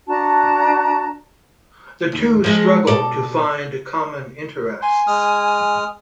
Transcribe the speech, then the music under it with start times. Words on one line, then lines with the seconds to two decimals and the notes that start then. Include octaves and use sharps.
The two struggle to find common interests.
0.08 D4 F#4 A5 A#5
2.12 D#2
2.44 F3 G#3
2.87 B2 A4 D5
4.82 G#5 C6
5.07 G#3 D#6 F6